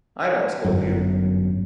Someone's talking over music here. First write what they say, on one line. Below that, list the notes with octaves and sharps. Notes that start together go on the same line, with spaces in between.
I won’t scold you.
G1 F#2